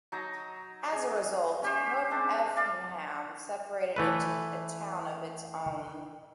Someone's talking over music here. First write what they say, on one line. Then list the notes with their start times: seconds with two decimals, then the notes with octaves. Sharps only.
As a result, North Effingham separated into a town of its own.
0.12 F#3 D#4 A#5
0.92 G#4
1.62 C#4 G4 C5
2.11 G#3 C4 D4
2.57 D5 F5
3.96 E3 A3 B4